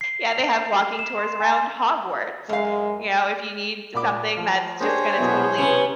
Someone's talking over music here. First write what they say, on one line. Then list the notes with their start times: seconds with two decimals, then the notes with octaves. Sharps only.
Yeah, they have walking tours around Hogwarts. You know, if you need something that's just gonna totally
0.01 C7
0.32 F7
0.99 E7
1.18 C6
1.40 G#5
2.49 F#2 G#3 F5
3.94 A#2 B5 D6
4.37 F3
4.80 A#3 D4 G4 G#4 C5 C#5
5.18 B2 F#3 B3 E4
5.58 C3 B3 C#4